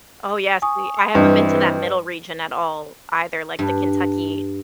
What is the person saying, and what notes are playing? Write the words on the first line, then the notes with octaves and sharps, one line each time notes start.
Oh, yes we I haven't been to that middle region at all either, like the Kentucky
G#5 C#6 D#6
G2 E3 C4 B4 D#5 D#6
G2